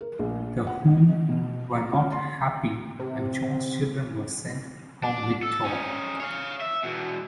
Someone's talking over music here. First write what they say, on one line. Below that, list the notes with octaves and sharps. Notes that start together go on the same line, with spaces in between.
The Who were not happy and John's Children were sent home mid-tour.
A#4
A#1
F#5
D#5
B2
A#5
C#4
C6
C3
D4
A4
C#4 D#4
C#5 F5
E5
E2 B2